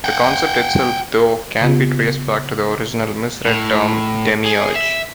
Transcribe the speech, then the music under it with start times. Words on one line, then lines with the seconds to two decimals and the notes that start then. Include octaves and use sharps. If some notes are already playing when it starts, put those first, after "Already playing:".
The concept itself though can be traced back to the original misread term demiurge.
0.04 F#5 G5
1.61 C#3 B3 F4 G4
3.46 A2
4.46 G#4
4.76 E5